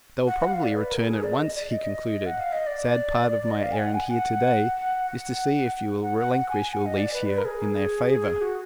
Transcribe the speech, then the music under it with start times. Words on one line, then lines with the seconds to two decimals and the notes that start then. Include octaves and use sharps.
"They will probably return at once," he concluded "sad part of my errand here to-day is to see if you will relinquish your lease here in their favor."
0.27 F#5
0.40 F#5
0.52 F5
0.63 D5
0.75 B4
0.91 A#4
1.07 G#4
1.23 D5
1.39 D#5
1.55 D5
1.71 D#5
2.26 F#5
2.40 F5
2.53 D#5
2.67 D5
3.50 D#5
3.63 F5
3.72 G#5
3.79 F#5
3.94 G#5
4.10 F#5
5.06 F#5
6.02 F#5
6.18 F#5
6.34 F#5
6.50 G#5
6.74 F#5
6.86 D#5
6.98 D5
7.13 B4
7.29 B4
7.38 A#4
7.45 G#4
8.41 F#4